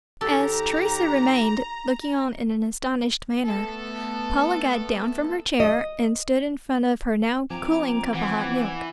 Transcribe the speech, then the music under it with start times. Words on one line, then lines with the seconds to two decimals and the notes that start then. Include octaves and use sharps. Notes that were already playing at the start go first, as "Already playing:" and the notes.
As Teresa remained, looking on in an astonished manner, Paula got down from her chair and stood in front of her now cooling cup of hot milk.
0.21 D#2 G4 A4 A#5
3.43 A3 B3 A4
5.60 D#5
7.50 F3 C4 G#5 A#5 D6
8.14 E3 F#5